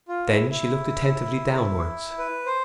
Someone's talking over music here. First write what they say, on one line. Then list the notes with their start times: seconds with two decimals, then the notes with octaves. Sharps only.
Then she looked attentively downwards.
0.08 F4
0.29 E4
0.50 E4
2.18 B4
2.46 C5